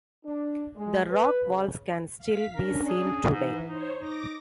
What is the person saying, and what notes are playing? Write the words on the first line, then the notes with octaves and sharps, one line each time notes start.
The rock walls can still be seen today.
D4
G#3
B4
C#3
F5 B6
C#4 D4 A#4
G#4
G#2 E3
D#4 C5 C#5
D#4 D6 A#6